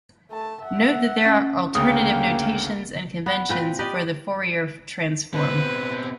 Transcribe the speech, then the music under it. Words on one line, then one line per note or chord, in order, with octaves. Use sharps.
Note that there are alternative notations and conventions for the Fourier transform.
A3 A5
E5 F#5
C#4
D2 C#3 A#3 F5 G5 D#6
B3
A#2 C4 B4
G4 B4 D5 D#5
B2 C4 B4